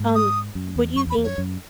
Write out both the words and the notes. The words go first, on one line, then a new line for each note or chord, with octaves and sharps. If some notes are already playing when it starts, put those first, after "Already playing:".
Um, what do you think,
Already playing: G#2
D#6
F#2
E2
F#2 C#6
E2
B5
E2
F#2 C#5
F#2